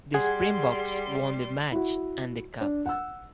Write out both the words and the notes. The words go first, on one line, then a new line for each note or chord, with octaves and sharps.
The Springboks won the match and the Cup.
G3 G#4 F#5 C6 G#6
E4 F#4
D4
F#5 E6